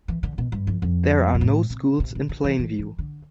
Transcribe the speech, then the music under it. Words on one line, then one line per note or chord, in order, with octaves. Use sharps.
There are no schools in Plainview.
E3
D3
B2
G2
F2
F2
B2
A2
C3
C3
C3
D3
E3
E3
E3
D3